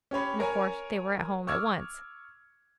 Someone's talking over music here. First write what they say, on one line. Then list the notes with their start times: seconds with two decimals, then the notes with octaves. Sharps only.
And, of course, they were at home at once.
0.11 C#4 G4 C#5 B5
0.40 A#4 C#5 G#5 A#5
1.47 C#6 D6 E6 F6 G#6